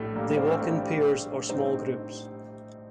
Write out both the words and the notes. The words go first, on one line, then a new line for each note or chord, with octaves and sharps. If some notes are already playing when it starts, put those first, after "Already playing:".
They walk in pairs or small groups.
Already playing: A#1 A2 G3 A3
G3 A#3
A3 C4
A#1 A2 G3 A#3
A2 G3 C4 D#4